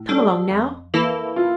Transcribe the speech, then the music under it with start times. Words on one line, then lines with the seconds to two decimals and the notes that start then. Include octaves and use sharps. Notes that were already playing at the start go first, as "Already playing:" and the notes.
Come along, now.
Already playing: A2
0.09 G3 D4 A4
0.51 F2
0.94 E3 A#3 E4 A4
1.36 F4